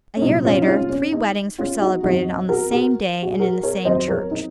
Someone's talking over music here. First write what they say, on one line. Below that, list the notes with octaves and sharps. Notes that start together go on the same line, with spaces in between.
A year later three weddings were celebrated on the same day and in the same church.
C#4
C2 A#2 F#3 D#4
C#4 F4
D#4
C#4 F4
C#4
D#4
C#4 F4
D#4 F#4
F2 D#3 F#3 D#4 F#4
F#4 A#4
F#4 A#4
F#4
G#4
F#4 A#4
A#4 C#5
F2 D#3 F#3 C5 D#5
A#4 C#5
D#4